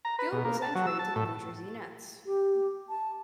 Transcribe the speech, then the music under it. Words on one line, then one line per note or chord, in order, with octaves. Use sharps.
Gill was then traded to the New Jersey Nets.
A#5
B4
B2
A#3
A5
F#3
E6
A5
A2
G4
A5